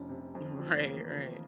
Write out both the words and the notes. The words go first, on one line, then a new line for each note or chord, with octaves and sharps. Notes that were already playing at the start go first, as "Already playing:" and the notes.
Mm, right, right.
Already playing: F1 F3 C#4 D4
C3
F2
F3 G#3
A3
D#3 A#3
E3
F3